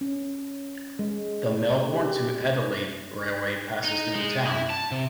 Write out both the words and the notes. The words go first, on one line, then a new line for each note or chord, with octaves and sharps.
The Melbourne to Adelaide railway passes through the town.
C#4
G#3
G4
D#4
G#3
E4
A5
C3